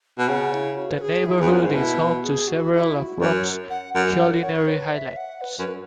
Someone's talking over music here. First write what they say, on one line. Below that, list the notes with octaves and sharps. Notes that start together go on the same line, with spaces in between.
The neighborhood is home to several of Rome's culinary highlights.
B2
C#3 F#5
E4
F#4
B4
G#4
E4
E2
F#2 F#4
G#2
F#4
B2 E4
F#4
G#4
F#4
E4
F#4
F#2 C#5
F#5
F#2 F#5
F#5
C#5
B4
E5
F#5
B4
F#2 B4